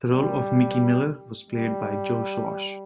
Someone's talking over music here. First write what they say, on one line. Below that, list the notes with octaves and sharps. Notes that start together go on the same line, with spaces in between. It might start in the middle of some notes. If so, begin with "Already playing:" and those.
The role of Mickey Miller was played by Joe Swash.
G3
G3